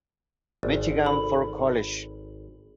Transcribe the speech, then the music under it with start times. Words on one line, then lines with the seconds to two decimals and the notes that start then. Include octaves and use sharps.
Michigan for college.
0.63 G#1 D5
1.05 A4 B5